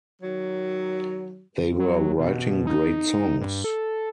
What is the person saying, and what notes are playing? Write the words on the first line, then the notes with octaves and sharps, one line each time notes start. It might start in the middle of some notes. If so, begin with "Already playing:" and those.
They were writing great songs.
D#3 F#3
F#3
B2
D#4
G2
A4